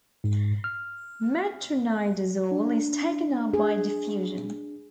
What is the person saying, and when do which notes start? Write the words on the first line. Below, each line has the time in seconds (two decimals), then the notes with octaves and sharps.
Metronidazole is taken up by diffusion.
0.24 G#2
0.64 F6
2.51 D4
3.54 G#4